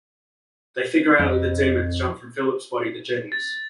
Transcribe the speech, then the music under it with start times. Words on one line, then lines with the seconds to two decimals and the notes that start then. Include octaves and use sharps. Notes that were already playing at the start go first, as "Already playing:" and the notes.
They figure out that the demon has jumped from Phillip's body to Jenny's.
1.20 F2
3.32 A6